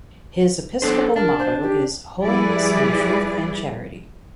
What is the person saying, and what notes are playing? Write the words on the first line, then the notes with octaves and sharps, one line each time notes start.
His episcopal motto is "Holiness in Truth and Charity".
B3 D4 A4 C5
D4 A#4
C5
G4
F3 G3 E4 G#4 B4 D5